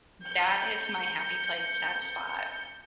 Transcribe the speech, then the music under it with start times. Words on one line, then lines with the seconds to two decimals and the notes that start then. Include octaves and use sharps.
that is my happy place, that spot.
0.23 G6 C#7